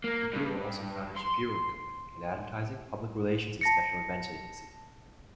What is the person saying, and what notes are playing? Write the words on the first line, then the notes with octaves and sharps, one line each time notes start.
Shapiro also founded "Shapiro and Company", an advertising, public relations and special events agency.
A#3
G2
C6
A5 A#6 C#7